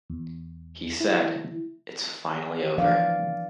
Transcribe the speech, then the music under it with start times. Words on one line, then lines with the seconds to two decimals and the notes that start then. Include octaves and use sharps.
He said, It's finally over.
0.10 E2
1.00 E4
2.78 E3 F3 D4 D5 F5